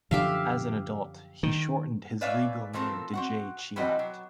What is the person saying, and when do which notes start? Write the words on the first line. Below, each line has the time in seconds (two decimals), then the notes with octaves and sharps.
As an adult he shortened his legal name to Jay Chiat.
0.11 F#2 D3 F3 G4 E5 F5
1.43 D#3
2.21 B4 C#5 D5 E5 F5 G#5
2.73 E3 F3 A3 C4 A4 A#4
3.13 C4 F#4 F#5
3.76 E3 G3 B3 C4 F#4 D#5
3.99 F#3